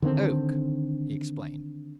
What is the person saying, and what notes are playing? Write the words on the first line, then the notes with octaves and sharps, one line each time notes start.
"Oak," he explained.
D3 D#3 A#3 C4